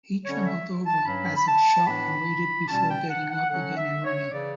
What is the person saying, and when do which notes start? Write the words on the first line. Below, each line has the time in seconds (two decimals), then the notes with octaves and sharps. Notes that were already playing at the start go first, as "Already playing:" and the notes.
He trembled over as if shot and waited before getting up again and running.
0.24 D3 G3 C#4 C#5
0.45 E5
0.86 A5
1.05 G2 F#3 C#4 B5
1.36 B5
1.46 A5
1.87 A2 E3 B3 D4 B5
2.68 B2 G3 C#4 A5
2.89 G5
3.09 F#5
3.29 F#5
3.49 D3 F#3 C#4 F#5
3.76 E5
4.04 C#5
4.31 C#3 E3 D5